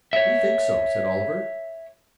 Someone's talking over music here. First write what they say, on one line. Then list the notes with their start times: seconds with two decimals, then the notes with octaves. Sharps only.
"We think so," said Oliver.
0.13 C#5 E5